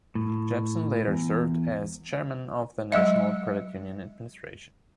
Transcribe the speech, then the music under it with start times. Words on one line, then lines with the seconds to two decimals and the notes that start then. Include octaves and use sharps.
Jepsen later served as chairman of the National Credit Union Administration.
0.15 A2
1.08 E2
2.92 F#3 G#3 D#5 E5